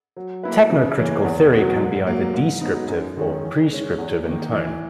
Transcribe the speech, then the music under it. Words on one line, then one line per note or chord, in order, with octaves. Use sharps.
Technocritical theory can be either "descriptive" or "prescriptive" in tone.
F#3
A#3 E4 B4
C#3
E3 A#3 C#4
E2
B2 F#3
G#2
F#3 A#3
G#2
F#3 B3 D#4
F#2
D#3 G#3 C#4
E3
G#3 C#4
E2
D#3 A#3
E3